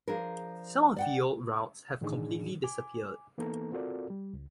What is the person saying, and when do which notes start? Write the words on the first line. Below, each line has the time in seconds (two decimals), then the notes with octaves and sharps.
Some of the old routes have completely disappeared.
0.08 F3 D4 G#4 A#4
0.96 D5 F#5 G5
2.01 A2 D#3 E3 D4 D#4 G#4
2.64 G#5 D6
3.38 E3 A#3 B3 D#4 A4 A#5
3.72 C4 F4 F#4 A4 A#4 D5
4.10 G3
4.33 C#2